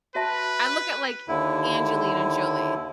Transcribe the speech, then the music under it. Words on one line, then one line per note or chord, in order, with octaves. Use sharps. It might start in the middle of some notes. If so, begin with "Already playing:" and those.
I look at, like, Angelina Jolie,
F#4 B4 E5 A5
D#2 D3 E4